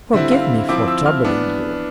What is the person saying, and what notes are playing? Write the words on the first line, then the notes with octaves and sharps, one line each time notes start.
"Forgive me for troubling you..."
D3 G3 C4 E4 E5
F5
F3 C4 E4 D6
E6
F6
E3 B3 D4